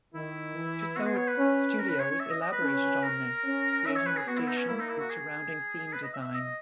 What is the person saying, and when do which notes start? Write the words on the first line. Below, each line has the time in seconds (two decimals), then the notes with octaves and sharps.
Tussauds Studios elaborated on this, creating the station and surrounding theme design.
0.14 D#3 E4
0.55 E3
0.97 B3 F#4
1.06 G#4
1.16 C#5
1.27 B4
1.38 C#4
1.79 C#4 A#4
1.89 B4
1.99 C#5
2.11 C#5
2.20 E5
2.31 D#5
2.42 D#5
2.52 B4
2.62 C#4
3.03 A#4
3.45 C#4
3.86 C#4 E5
3.96 C#5
4.06 B4
4.17 G#4
4.27 B3 F#4
4.37 E4
4.48 D#4
4.58 C#4
4.68 A#3 E4
4.80 D#4
4.89 E4
4.99 F#4
5.10 G#4
5.93 B4
6.03 D#5
6.13 E5
6.24 E5
6.35 D#5